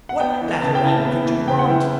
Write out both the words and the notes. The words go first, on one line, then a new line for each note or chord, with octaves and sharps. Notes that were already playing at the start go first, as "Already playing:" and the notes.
What better end could you want?
F#5
B3 G5
E3
C#3 A5
G5
E4 A5
B3
E3
C#3 G5
F#5
E4 G5